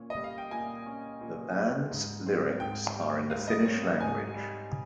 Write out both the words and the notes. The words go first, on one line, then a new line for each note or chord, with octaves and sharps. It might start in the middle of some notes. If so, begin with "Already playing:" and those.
The band's lyrics are in the Finnish language.
Already playing: A#2 C#4
D#5
G3
F5
G5
A#2 G#5
C#4
A#2
G3
G#2
C4
G#2 G5
G3
G#2 F5
D#5
C4 C#5
F5
G#2 G#5
G3